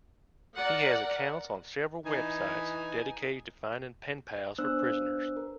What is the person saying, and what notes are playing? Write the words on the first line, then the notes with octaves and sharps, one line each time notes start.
He has accounts on several websites dedicated to finding pen pals for prisoners.
A#4 D5 F#5
E3 D#4 G#5
B3 D4 C5 E6 F#6
A#4